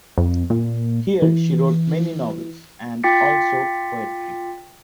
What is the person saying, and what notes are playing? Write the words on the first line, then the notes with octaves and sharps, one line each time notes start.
Here she wrote many novels and also poetry.
F2
A#2
E3
F4 G5 D6 A6 B6 C#7